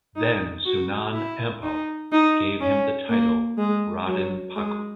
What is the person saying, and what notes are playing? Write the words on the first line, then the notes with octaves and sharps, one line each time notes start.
Then Sunan Ampel gave him the title Raden Paku.
D#4
F#4
E4
D#4
D#4
C#4
A#3
G#3
F#3
G#3